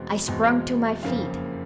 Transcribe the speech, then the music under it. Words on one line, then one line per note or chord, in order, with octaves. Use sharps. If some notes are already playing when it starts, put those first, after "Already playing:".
I sprung to my feet.
Already playing: E2 B2 G#3 C4
E2 B2 G#3 C4
F#1 F2 C#3 F3 A#3 F5